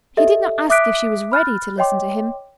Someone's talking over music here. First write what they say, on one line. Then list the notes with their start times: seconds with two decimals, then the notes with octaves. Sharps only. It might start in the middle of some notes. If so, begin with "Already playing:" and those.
He did not ask if she was ready to listen to him.
0.17 G4 A4 D#5 E5
0.70 E5 D6 D#6 F#6 B6 D7
1.32 B5 F6 F#6 A6
1.78 C#5 D#5 G5 C6 D6